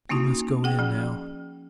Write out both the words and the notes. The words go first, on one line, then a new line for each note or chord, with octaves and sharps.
"You must go in now!"
A#3 C#4 D#4 E4 F#4 A5
G#4 F#5 G5
F3 C#4